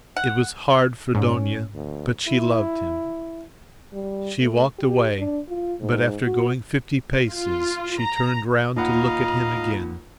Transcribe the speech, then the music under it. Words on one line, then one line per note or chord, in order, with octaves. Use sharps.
It was hard for Dounia, but she loved him. She walked away, but after going fifty paces she turned round to look at him again.
F#5
G#2 C#4
D2
E4
G3
A3
G4
D4
F4
G#2
F#4
F4
A#5
D#2 F4 D#5 F5 F#5 A#5 B5